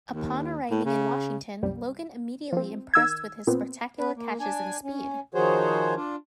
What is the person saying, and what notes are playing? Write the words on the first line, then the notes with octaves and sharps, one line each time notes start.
Upon arriving in Washington, Logan immediately impressed with his spectacular catches and speed.
D#2
A2
C#3
C2 F#2 G3
F3 C4
D#3 E6 G#6
A#2 B3 C4
B3 B4
A#3
D4 G#5
C#4
D#3 F3 F#4 G#4 C5 C#5
D4 F4